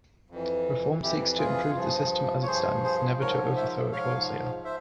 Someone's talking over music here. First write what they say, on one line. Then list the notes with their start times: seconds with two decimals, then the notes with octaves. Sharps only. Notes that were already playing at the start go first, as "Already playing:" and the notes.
Reform seeks to improve the system as it stands, never to overthrow it wholesale.
0.30 F2 E3
1.02 F2 E3 E4 G4
1.38 F4 G#4
1.75 G2 F3
2.43 C#5
2.47 G2 F3 G#4 C5
2.84 G#4 C5
3.20 G#2 F3 A#4 C#5
3.56 C5 E5
3.92 G#2 F3 C#5 F5
4.65 C5 E5